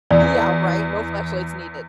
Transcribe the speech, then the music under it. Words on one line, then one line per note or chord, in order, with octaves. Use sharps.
Yeah, right. No flashlights needed.
E2 D5